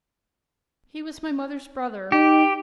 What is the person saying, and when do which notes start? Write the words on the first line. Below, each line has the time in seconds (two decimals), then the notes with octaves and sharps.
He was my mother's brother.
2.12 D#4 G4